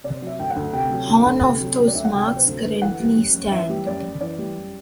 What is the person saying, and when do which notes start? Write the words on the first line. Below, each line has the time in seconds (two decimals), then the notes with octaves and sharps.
Hone of those marks currently stand.
0.04 C3 D5
0.22 F#3 E5
0.39 D2 G5
0.50 F#5
0.56 D2
0.73 C3 G5
0.90 F#3
1.08 D2
1.25 D2
1.44 C3
1.60 F#3
1.78 D2
1.87 D5
1.95 D2 E5
2.05 F#5
2.12 C3 G5
2.27 D5
2.30 F#3
2.36 C5
2.47 D2
2.59 B4
2.65 D2
2.82 E3 F#5
3.00 G3
3.17 F#2
3.34 F#2
3.51 E3 E5
3.69 G3
3.86 F#2 D5
4.04 F#2
4.21 E3 D5
4.38 G3
4.56 F#2